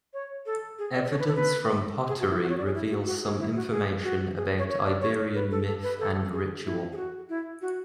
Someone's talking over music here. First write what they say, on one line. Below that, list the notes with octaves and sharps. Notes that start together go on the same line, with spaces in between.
Evidence from pottery reveals some information about Iberian myth and ritual.
C#5
A4
G#4
D5
C#5
B4
A4
B4
G#4
F#4
E4
F#4
C#5
D5
G#4
E4
F#4
F#4
G#4
E4
F#4
G#4
F#4
G#4
C#5
C#5
D5
C#5
B4
A4
A4
B4
A4
G#4
E4
G#4
F#4
E4
F#4